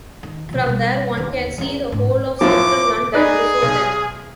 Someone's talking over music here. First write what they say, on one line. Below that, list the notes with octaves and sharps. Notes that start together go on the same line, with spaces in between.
From there one can see the whole of central London before them.
D#3
B2 F3
B2 G3
D#2 D3
E2 C#4
G#2 C#4
F#2 A2 F3 D6
D#4 G#4 B4 D5
B1